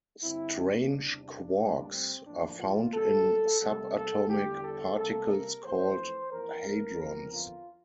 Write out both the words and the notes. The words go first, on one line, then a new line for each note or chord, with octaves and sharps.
Strange quarks are found in subatomic particles called hadrons.
G2 D3 G3 C4 E4
D4
E2 C3 G3
D4
A2 G3 A#3
C4
A2 F3 A#3 D4
F4
A#2 G3 A#3 A4
C3 G3 A#3 A4
A4
E2 D3 G3 G4
A4
C3 G3 A#3 A4
A#4
F2 E3 A3 C5
F2 E3 A#3 A#4
E2 D3 F3 C4
F4